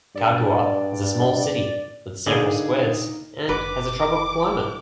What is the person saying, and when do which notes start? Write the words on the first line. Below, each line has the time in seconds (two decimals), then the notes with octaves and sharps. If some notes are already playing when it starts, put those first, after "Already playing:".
Cagua is a small city with several squares and has a tropical climate.
0.15 G2 D5
2.27 D3 A#3 D#4 G#4 D#7
3.49 F#1 B4 D6